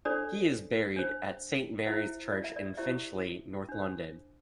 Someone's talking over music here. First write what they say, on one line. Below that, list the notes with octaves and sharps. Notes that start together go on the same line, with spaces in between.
He is buried at Saint Mary's church in Finchley, north London.
D4 A4 C5 D5
D4 C5
E4 C5 E5
D5
E5
D5
E4 G4 C5 E5
D4 C5